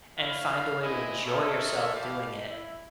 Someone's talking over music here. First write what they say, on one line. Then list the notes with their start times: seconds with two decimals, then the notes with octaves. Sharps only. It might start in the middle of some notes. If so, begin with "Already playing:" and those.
and find a way to enjoy yourself doing it
0.18 E4 A4 C#5 F5 B5
0.82 C4 D4 E4 D#5 G#5
1.25 A4 A#4 C#5 D#5 E5
1.95 E4 G4 A4 F5
2.50 E4